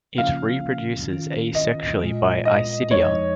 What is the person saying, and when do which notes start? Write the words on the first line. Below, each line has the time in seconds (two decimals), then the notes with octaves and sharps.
It reproduces asexually by isidia.
0.18 C#3 F3 A#3 C#4 F4 F5
1.09 D#3 C#4 F4
1.55 D#5
2.00 A#2 G#3 F4
2.45 D#5
2.91 F2 F3 G#3 D#4 C#5
3.02 D#5